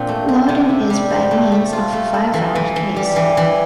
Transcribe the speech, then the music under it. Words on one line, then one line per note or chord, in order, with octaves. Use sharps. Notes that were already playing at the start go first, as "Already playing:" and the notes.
Loading is by means of a five-round case.
Already playing: A#2 C4 D4
A3
C4
C3
E4
G3
C4
A3
A3
F4
A3
A4
E3
E3
E3
G3
E3
E3